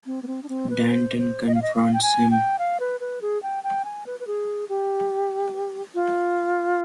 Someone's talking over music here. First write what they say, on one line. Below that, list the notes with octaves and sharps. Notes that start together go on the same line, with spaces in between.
Danton confronts him.
C4
B3
C4
D4
C4
B4
C5
C5
D#5
F5
D#5
F5
G5
G#5
G5
F5
B4
B4
G#4
G5
G5
G#5
B4
B4
G#4
G4
F4